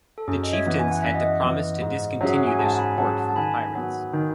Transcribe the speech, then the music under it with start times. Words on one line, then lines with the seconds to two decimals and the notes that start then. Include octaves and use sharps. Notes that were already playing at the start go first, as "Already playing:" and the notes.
The chieftains had to promise to discontinue their support for the pirates.
0.18 A4
0.27 F#2 G#4
0.43 D#5
0.53 C#5 E5
0.66 E3 B3
0.79 G#5
0.91 F#5
1.03 F#2 E5
1.14 D#5 F#5
1.44 E3 B3
1.82 G#2
2.21 F#3 C#4 G#4 E5
2.34 F#5
2.47 G#5
2.59 G#2 F#5 A5
2.78 G#5 B5
2.97 F#3 C#4 G#4 F#5 A5
3.16 F#5 A5
3.29 A5
3.36 D#3 G#5 B5
3.75 F#3 B3
4.13 D#3